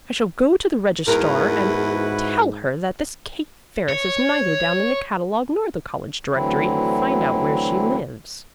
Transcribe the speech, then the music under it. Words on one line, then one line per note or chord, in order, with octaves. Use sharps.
"I shall go to the registrar and tell her that this Kate Ferris is neither down in the catalogue nor the college directory, and find out where she lives."
E2 G#2 E4 F#4 A#4 B4
C#5
D2 D3 E3 F#3 C4 E4